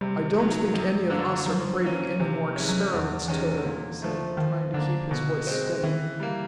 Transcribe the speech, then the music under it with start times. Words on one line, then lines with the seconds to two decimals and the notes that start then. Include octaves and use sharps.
"I don't think any of us are craving any more experiments, Tode," he said, trying to keep his voice steady.
0.01 C3 G3
0.19 G#3
0.37 D#3 F#3 A3
0.56 A#3
0.73 F#2 G#3
1.10 D3 F#3 A#3 D4
1.46 F3 F#3
1.59 G3
1.70 F#3
1.83 A#3 C#4
2.20 C3 E3
2.44 F3
2.56 E3 G#3 C#4
2.69 F#3
2.93 E2 F3
3.28 C3 D#3 E3 G#3 C#4
3.65 A#2
4.02 F3 A3
4.37 D#3 F3
4.74 D3 A#3 D4
5.11 B2 D3
5.47 G#3 C4
5.83 D#3 E3
6.07 D3
6.20 G3 A#3
6.32 C#3